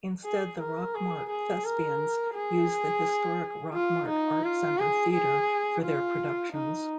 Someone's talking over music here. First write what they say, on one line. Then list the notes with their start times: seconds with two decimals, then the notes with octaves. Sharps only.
Instead, the Rockmart Thespians use the historic Rockmart Art Center Theatre for their productions.
0.25 G#4
0.60 A#4
0.95 G#4
1.30 G#4
1.65 A#4
2.35 G#4
3.74 F4
4.09 D#4
4.44 F4
4.78 G#4
5.13 G#4
5.83 F4
6.53 D#4